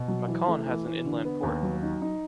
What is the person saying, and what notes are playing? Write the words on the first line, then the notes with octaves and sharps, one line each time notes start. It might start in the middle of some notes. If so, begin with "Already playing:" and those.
Mâcon has an inland port.
Already playing: B2
F#3
E3
A3
E3
E3
D3
B3
D#2
F#3
D#4
D#4